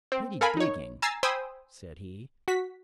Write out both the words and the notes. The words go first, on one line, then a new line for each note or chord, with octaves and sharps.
"Pretty digging!" said he.
C4
A4 A#4 F5 G#5 B5
D#4 C#5
G#5 A#5 E6 A6 C7
C5 G5 G#5 B5 D#6 E6
F#4 B6